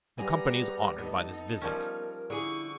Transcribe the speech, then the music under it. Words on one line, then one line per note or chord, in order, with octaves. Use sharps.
"The Company is honored by this visit."
G3 B3 G#4 A#5
B3 D#4 A4
F3 G3 C#4 A#4
D3 E4 G#4 C#6